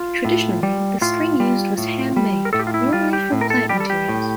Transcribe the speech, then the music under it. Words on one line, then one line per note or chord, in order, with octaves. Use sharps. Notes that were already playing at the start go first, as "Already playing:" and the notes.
Traditionally, the string used was handmade, normally from plant materials.
Already playing: F4
A2
G3
A2 F4
G3
A2
G3
A#4
A2 A4
G4
F4
E4
G3 F4
G4
A2
A#4
A4
G3 G4
A4
G4
A2